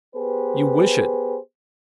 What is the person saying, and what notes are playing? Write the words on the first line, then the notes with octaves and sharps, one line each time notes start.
You wish it.
B3 G4 G#4 B4 C5